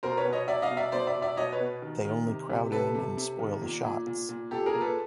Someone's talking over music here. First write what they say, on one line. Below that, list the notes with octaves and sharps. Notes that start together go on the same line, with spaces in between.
They only crowd in and spoil the shots.
B2 A#4 C5
B4 C#5
B2
C#5 D#5
B2 D5 E5
D#5 F5
B2
D5 E5
B2 C5 D5
D5 E5
B2
D5 E5
B2 C#5 D#5
B4 C#5
B2
D#3
D#3
C3
C3
C3 A4 B4
C3
C3
D#3
A#2
A#2
A#2
A#2
A#2 G4 A4
G#4 A#4
A#2
A4 B4